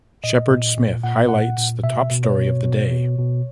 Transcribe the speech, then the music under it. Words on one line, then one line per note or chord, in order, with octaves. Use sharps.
Shepard Smith highlights the top story of the day.
A#2 D#5
A#2
A#2
A#2 F#5
A#2 F#5
A#2
B2 E5
B2
C#5
B2
B2
B2
B2